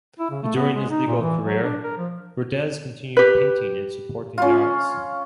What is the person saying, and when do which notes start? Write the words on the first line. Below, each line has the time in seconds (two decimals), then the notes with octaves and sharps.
During his legal career Rodez continued painting and supporting the arts.
0.19 E4
0.31 C#3
0.43 A3
0.56 B3
0.75 G#3
0.90 D#4
1.07 A#2
1.21 E3
1.44 F#3
1.63 D4
1.84 A#4
1.97 F3
3.17 G4 B4
4.38 C#4 F4